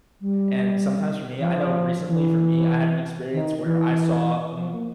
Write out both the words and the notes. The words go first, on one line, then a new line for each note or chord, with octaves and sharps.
and sometimes for me I know recently for me, I had an experience where I saw a
G3
E3
F3
E3
D#3
E3
F3
A#3